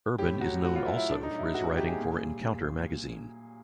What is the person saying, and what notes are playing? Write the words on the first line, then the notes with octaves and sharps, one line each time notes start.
Urban is known also for his writing for "Encounter" magazine.
A2 G4
F#3 F#4
A2 F#4
F4
F#3 E4
E4
A2 D4
D#4
F#3
E4
A2 F#4
F#4
F#3 G4
G#4
A#2
G3
A#2